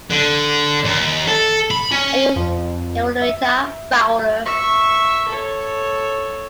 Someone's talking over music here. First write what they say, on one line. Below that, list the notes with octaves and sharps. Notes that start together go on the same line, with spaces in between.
Edith Henrietta Fowler.
D3
D#2
A4
B5
C#4
F2
E5
E5 C#6
A4 C#5